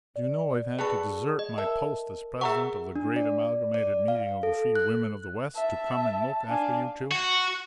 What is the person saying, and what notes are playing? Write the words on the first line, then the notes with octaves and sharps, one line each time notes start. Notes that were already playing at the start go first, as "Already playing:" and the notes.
Do you know I've had to desert my post as president of the Great Amalgamated Meeting of the Free Women of the West to come and look after you two?
D5
B3 F#4 G#4 A4 C#6
D#5
A4 A#4 E5
G#4 E5 F#5 A#5 C#6
D4
D5
D5
F5
A4
F#6
E5 A5
D4 F5 G#5
F#4